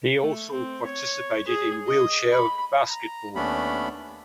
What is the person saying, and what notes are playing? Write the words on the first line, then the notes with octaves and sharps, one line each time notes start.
He also participated in wheelchair basketball.
A3
C4
C#5
G#4
D#5
B5
A#5
D#2 A3 B3 C#4 D4 B5